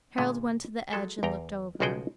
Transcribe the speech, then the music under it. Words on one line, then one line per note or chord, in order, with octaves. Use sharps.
Harald went to the edge and looked over.
A#2 D3 G#3
F#3 G#3 A4
E2 G5 A#5
B1 C#3 F3 F#4 G#4 G5